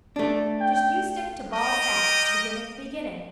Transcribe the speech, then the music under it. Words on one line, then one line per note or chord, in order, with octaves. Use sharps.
Just you stick to bald facts. Begin at the beginning.
A3 D4
G5
G4 A#4 D#5